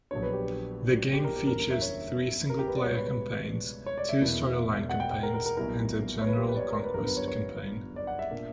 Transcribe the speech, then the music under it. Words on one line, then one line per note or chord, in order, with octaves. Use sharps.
The game features three singleplayer campaigns, two storyline campaigns and a general conquest campaign.
A#1 A#2 F#3 B3 D4 C#5
B4
G4
G4
A#4
G4
F#1 E2 D3 G3 C#4 A#4
A#4
E5
C#5
A#4
G4
B4
D5
C#2 B2 G3 C#5
B4
B4
C#5
D5
E5
E1 E2 B2 A#3 E4
F#5
G5
G5
A#4
A#4
A#4
B1 A#2 G3 B3 E4 A#4
C#5
B4
G4
B4
D5
C#5
A#4
B4
G1 F#2 D3 G3 B3 A#4
B4
C#5
C#5
D5
F#5
E5
A#2 A#3 D4